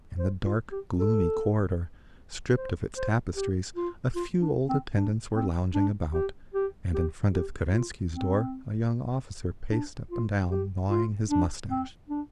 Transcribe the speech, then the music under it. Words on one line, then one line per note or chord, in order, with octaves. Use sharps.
In the dark, gloomy corridor, stripped of its tapestries, a few old attendants were lounging about, and in front of Kerensky's door a young officer paced up and down, gnawing his moustache.
C5
F4
G4
A4
C5
C5
G4
F4
F4
D4
C4
D4
C4
D4
G4
G4
G4
G4
F4
C4
D4
F4
G4
F4
D4
C4
D4